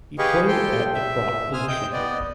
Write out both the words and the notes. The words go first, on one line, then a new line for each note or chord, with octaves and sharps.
He played at the prop position.
G4 G#4 B4 D#5 F5 C#6
G4 A4 G5 C6
E5
C5 G#5 D#6 F6
D#5 G5 G6
B3 D5 D#5